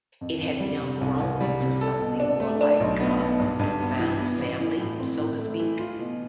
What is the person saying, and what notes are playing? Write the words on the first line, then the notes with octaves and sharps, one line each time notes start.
it has now grown into something more like a a newfound family, so to speak.
F2
F2
G3
C3
C2
C2
G3
C3
A4
B2
D4
A3
D4
B1
B3
B2
G2
G2
B3
E3
B3
A1
E3
A2
C4
A2
A3
E3
F4
B2